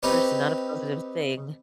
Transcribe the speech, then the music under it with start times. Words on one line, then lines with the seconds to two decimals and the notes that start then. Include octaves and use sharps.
person, not a positive thing.
0.03 C4 D#4 G4 B4 C#5